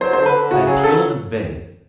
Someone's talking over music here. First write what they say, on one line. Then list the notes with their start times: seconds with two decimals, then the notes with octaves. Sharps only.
I appealed in vain.
0.01 F#3 C5
0.13 D3 C5
0.26 B4
0.34 D3
0.51 C#3 F#4
0.67 F#3 G#4
0.84 A4